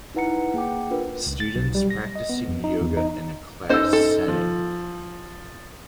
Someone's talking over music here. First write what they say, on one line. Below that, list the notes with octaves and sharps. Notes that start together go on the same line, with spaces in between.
Students practicing yoga in a class setting.
D#4 E4 B4 F#5 A#5 C#7
A#3 G#4 F#5 G5 D6
D4 F4 A#4 B4
C#2
A6
B1
G3
A#6
D#5
B3
F2
D#4
E2
D#4
F#2 D#4 A4 C5 D#5 E6
A4
F3